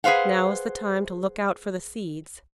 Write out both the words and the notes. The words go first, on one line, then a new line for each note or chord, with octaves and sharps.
Now is the time to look out for the seeds.
G#4 B4 C5 F5 F#5